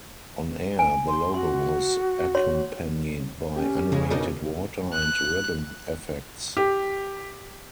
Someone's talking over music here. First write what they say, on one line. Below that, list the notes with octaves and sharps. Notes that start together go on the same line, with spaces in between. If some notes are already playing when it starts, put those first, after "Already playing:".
On-air, the logo was accompanied by animated water and ribbon effects.
G#5
C6
F#4 C6
C#5 C6
C#4 G4
C#3 G#3 G#4
B2 D4 D#4 A#4
F#6
G4